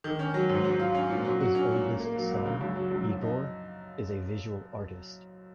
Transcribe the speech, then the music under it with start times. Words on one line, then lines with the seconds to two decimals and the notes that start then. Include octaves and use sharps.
His oldest son, Igor, is a visual artist.
0.04 D#3
0.19 C#4
0.34 F#3
0.49 G#2
0.64 F#3
0.80 F4
0.95 C#4
1.10 A#2
1.25 F#3
1.40 F#4
1.55 C#4
1.70 A#2
1.85 A#2
2.00 A#3
2.16 F#3
2.31 C2
2.46 C#3
2.61 F#2
2.76 F#3
2.91 F#2
3.06 F3
3.21 D#4